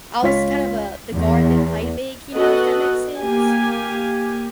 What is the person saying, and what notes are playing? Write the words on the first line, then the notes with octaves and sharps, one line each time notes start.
I was kind of a the guard that played big, you know, if that makes sense?
C#2 F4 C#5 B6
E2
B3 F#4 A4 D#5 F#5
A#3 G4 G#5